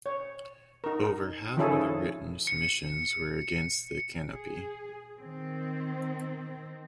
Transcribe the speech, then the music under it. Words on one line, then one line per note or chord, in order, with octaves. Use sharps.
Over half of the written submissions were against the canopy.
C#5
D#4 A#4
D#3 F3 C#4 E4 G#4 A4
C#7
G#4
D#3 C4